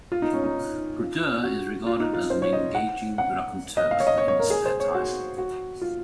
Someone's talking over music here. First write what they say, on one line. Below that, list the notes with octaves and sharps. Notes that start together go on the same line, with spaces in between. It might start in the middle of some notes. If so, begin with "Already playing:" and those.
Brodeur is regarded as an engaging raconteur in his spare time.
F4
D#4
C#4
D#4
F4
F#4
F4
D#4
F4
C5
C#5
D#5
F#5
F#5
D#5
F5
C#5
D#5
C#5
C#5
A#4
G#4
C5
C#5
F#4
F#4
F4